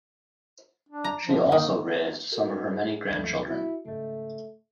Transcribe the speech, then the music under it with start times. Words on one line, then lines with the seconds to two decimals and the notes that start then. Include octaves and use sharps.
She also raised some of her many grandchildren.
0.89 D4
1.04 A#5
1.25 F3
1.52 D#3 A#3
2.32 F#4 A4 A#4
2.71 G#4
3.10 D2 D#3 F3 A3
3.47 E4 F#4
3.86 G#2 C#3 A3